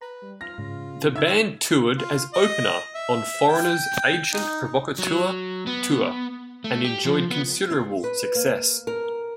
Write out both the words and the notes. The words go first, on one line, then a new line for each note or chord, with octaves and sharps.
The band toured as opener on Foreigner's "Agent Provocateur" Tour, and enjoyed considerable success.
B4 A#5
G3
F4 F6 A#6
G#2 C#3
D3 D#4 E5 E6 G#6
F4
D#5
E5
G5
D#4
F#3
B3
A3
G4
F3
B3
C4
B4
A#3
A#4